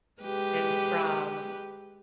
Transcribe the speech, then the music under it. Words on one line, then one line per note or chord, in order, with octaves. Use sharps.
And from
G#3 G4 B4